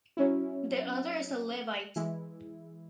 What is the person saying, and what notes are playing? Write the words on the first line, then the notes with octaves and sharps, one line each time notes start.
The other is a Levite.
F#3 C#4 E4
E3 G#3 E4